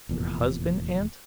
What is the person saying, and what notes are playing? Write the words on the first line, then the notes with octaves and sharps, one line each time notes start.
'Your husband, aunt?
F1 E2 A#2